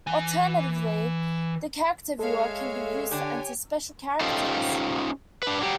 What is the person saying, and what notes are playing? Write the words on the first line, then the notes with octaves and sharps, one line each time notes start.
Alternatively the Character Viewer can be used to enter special characters.
E3 G#5
G#3 A4 C#5 E5 F5
D3 D4 G4 C#5 G#5
C#4 D#4 F4 G4 A4 C5
D4 B4
F#3 G4